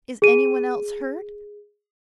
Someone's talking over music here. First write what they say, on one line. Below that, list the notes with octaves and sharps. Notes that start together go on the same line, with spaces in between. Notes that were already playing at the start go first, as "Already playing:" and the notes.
Is any one else hurt?
G#4 D#7